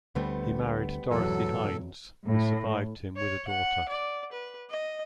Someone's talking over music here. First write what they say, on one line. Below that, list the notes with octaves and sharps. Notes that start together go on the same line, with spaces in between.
He married Dorothy Hines who survived him with a daughter.
D2 D3 G3 A3 B3 C4
E2 G#2 B2 E3 F#3 A4
A2
C#5
F#5
D5
B4
D#5